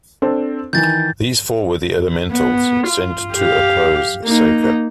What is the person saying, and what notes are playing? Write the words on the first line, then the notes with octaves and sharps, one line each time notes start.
These four were the Elementals, sent to oppose Saker.
C4 D4 A4
D#3 E3 G6 A6
B3
F4
G4 F5
A#3 D#4